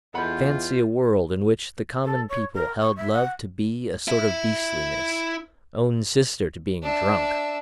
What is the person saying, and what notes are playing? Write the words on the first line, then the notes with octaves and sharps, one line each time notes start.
Fancy a world in which the common people held love to be a sort of beastliness, own sister to being drunk! . . .
E2 F4 A4 B4 D#5 F#5 B5 G6
A4
C#5
A#4
C#6
E5
F#5
E4 E5
D4 E5